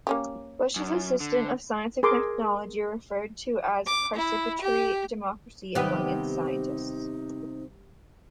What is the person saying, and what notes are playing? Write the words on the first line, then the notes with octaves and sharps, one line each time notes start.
Bush's assistant for science and technology, referred to as "participatory democracy" among its scientists.
A#3 C#4 G4
F#2
D3
G#4 A#4 C6 D6
D6
E4
G4
C3 D#3 G3 B3 D#4 G4 B4